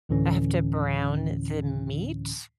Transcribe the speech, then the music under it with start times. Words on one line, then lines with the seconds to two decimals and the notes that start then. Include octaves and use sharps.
I have to brown the meat
0.09 D2 A2 D3 E3 C#4